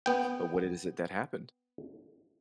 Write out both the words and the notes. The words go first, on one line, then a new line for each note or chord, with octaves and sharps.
But what it is that happened?
B3 G5